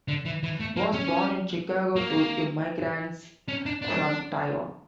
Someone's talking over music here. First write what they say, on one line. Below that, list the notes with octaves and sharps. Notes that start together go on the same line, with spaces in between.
He was born in Chicago to immigrants from Taiwan.
D3
E3
E3
A3
A#3
C#4
A#3
C#4
D4
D4